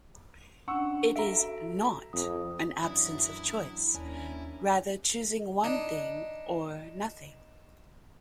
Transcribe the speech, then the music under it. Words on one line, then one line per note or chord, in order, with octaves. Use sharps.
It is "not" an absence of choice, rather choosing one thing or nothing.
C#4 D4 F#5 C#6 E6
F#4 A4 E5 A#5 D7
F2 D#6
F#2 E3 F#3 D4 E4 E5 D#6
D#2 C#4 D4 A#4 G#5
D4 D#4